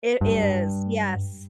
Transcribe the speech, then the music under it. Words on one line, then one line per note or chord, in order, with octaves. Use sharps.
It is, yes.
G2